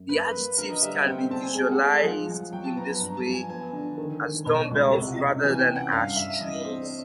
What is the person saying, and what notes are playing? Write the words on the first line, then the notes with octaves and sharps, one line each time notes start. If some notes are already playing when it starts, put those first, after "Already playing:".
The adjectives can be visualized in this way as "dumbbells" rather than as "trees".
Already playing: F#2
A#3 B4
A#3
D3 A#4
D#5
G3 E5
F#5
C4 G5
G5
C4 A5
G#5
G#3 G5
F#5
G#3
F#5
F3
F3
F#3 G5
A5
B3 A#5
A#5
G2 A#5
A5
F3
G#5
B3 G#5
D3
D#3
D#3
B2
C#2
C3
C3
E3 G#5
G5
C#4
F#5
G2 F5
G2 E5
E3 D#5
C4